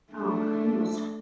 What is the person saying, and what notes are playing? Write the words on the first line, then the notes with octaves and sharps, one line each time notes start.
Oh, he was
A3 D4